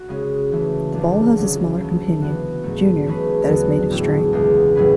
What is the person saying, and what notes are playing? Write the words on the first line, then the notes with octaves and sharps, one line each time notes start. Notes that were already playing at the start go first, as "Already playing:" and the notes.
The ball has a smaller companion, "Junior", that is made of string.
Already playing: F#4
C#3 G#3 C#4
C#3 E3 A3
C#2 C#3 F#3 A3 D4
D2 C#3 F#3 C#4
D2 C#3 E3 A3
E3 B3 F#4
G#2 F#3 A3
E3 A3 C#4 G#4 B4
E2 D3 F#3 B3 F#4
A2 E3 A3 C#4 G#4
C#2 B2 G#3
A2 F#3 C#4 G#4 B4